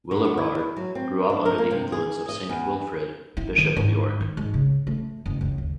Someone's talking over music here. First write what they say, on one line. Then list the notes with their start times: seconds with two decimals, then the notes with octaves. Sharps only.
Willibrord grew up under the influence of Saint Wilfrid, Bishop of York.
0.11 D3
0.25 B3
0.38 E4
0.76 F#3
0.95 C4
1.30 D4
1.45 A#4
1.58 A#3
1.71 C3
1.92 G#4
2.29 D#5
2.49 E2
3.37 E4
3.58 D#3
3.76 G#2
4.20 D#3
4.37 G#2
4.54 C#3
4.87 A3
5.26 F#1
5.41 C#2
5.58 D#2